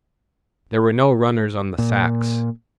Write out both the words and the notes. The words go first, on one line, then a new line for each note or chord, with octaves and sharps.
There were no runners on the sacks.
A#2